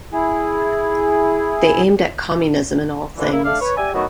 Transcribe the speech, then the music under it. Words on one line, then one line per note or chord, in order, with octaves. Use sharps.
They aimed at communism in all things.
E4 G#4
F2 A#2 D3 E3
A#3 E4
A3 D4 D5 F5
B4 C#5
G4 D5 E5 G#5
D#3 F#3 A3 B3 F#4